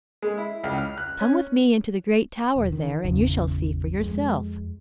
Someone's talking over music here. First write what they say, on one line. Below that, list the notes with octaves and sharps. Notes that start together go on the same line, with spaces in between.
"Come with me into the great tower there, and you shall see for yourself."
G#3
E4
C#2
F6
F#6
C#4
E1
D#3
G#1 E2 C#3 E3
F2 G#3